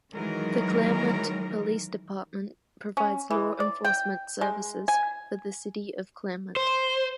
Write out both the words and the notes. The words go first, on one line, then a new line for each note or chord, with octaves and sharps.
The Claremont Police Department provides law enforcement services for the city of Claremont.
D#3 E3 F#3 G#3 A#4
C#4
E3
D5
G5
G#3
G#5
C5